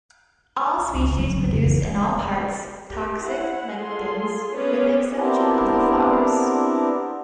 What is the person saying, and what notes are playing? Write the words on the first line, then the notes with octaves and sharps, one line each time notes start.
All species produce in all parts toxic lectins, with the exception of the flowers.
C#2
D3 F#3
F2 C#3
E3
G4 A#4
E4 F#5
F4 G#4 A4 C6
B3 C#4 G#4 B4 C#5 D5
B3 C4 D4 E4 G4 A#4